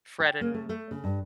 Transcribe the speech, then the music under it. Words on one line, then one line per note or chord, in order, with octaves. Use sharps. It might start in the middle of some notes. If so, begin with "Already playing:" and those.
Fred and-
G5
A#3
A3
A3
C#3
G2